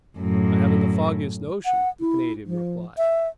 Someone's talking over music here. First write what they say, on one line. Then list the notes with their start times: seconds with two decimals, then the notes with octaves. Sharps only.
"I haven't the foggiest notion," the Canadian replied.
0.19 F#2 A2
1.65 F#5
2.00 E4
2.46 F3
2.98 E5